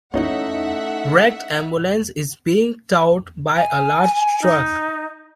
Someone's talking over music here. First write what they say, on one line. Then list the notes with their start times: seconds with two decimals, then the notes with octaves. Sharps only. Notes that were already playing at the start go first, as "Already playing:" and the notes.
Wrecked ambulance is being towed by a large truck.
0.14 A3 C#4 D#4 E4 C#5 E5 F#5
3.56 G#5
4.42 D#4